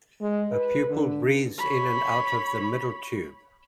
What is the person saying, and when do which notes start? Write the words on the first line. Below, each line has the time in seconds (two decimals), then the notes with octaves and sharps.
A pupil breathes in and out of the middle tube.
0.21 G#3
0.51 B4
0.90 D3
1.58 C#5 B5